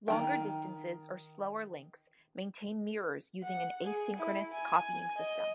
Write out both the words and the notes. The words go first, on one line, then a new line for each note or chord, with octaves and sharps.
Longer distances or slower links maintain mirrors using an asynchronous copying system.
D#3 F#3 G5
F#5
G#4
E4
G#5
D#5